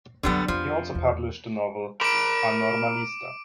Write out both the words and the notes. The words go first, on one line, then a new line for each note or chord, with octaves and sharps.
He also published the novel "A Normalista".
F2 D3 F#3 G3 B3
F2 F3 D4
E2
A#4 B5 D6 D7